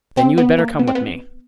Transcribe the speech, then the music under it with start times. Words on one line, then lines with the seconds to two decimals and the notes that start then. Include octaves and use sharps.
"Then you had better come with me."
0.17 C4
0.38 B3
0.58 A#3
0.79 B3
0.87 C4
0.95 B3